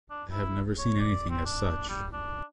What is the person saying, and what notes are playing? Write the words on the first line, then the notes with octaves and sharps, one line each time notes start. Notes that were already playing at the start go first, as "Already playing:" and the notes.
I have never seen anything as such.
D4
E4
C#5
D5
C4
D4
G3
D4